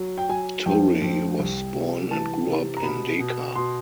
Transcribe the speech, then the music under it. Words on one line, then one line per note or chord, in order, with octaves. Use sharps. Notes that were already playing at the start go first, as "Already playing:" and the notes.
Toure was born and grew up in Dakar.
Already playing: F#3
G5
F#3 G#5
F2 G5
F2
C2
C2
E3 A5
C3
A#5
B2 B5
B2
B2 C6